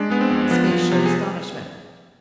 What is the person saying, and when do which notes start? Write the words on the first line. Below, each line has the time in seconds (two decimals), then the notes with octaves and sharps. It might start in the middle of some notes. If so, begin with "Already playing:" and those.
His face showed astonishment.
Already playing: G#3 D4
0.10 G#3 B3
0.21 C4
0.30 F2
0.51 F3 B3
0.71 F3 B3
0.91 C3
1.06 G#4